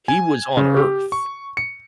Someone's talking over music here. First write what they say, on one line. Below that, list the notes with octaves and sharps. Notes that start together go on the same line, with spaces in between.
He was on Earth.
G#5
C#3
G4
C#6
C#7